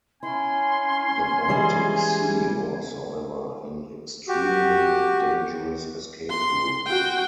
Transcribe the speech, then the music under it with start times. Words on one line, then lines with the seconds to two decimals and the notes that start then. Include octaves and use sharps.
The Baltic Sea was, however, an extremely dangerous escape route.
0.23 C#4 E4 G#5 C6
1.48 E3 G3 G#3
4.28 F#4 G4
6.30 C6
6.86 F#4 G5